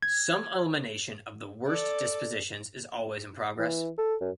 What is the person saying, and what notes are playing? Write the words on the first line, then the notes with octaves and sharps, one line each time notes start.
Some elimination of the worst dispositions is always in progress.
G#6
A4 D5
E3
A4
F#2